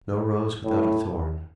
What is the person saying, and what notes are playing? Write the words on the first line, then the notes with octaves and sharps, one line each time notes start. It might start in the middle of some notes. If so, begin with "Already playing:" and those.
No rose without a thorn.
A2